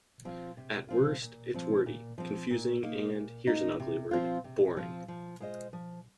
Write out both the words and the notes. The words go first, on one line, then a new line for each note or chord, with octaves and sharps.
At worst, it's wordy, confusing and - here's an ugly word - boring.
F3 C4 F4
C3
F3 C4 F4
A#2
F3 C4
A#2
F3 C4
A#2
A#3 D#4
A#2
A#3 D#4
C3
F3 C4 F4
C3
F3 C4 F4
F3
G#3 F4 C5 D#5
F3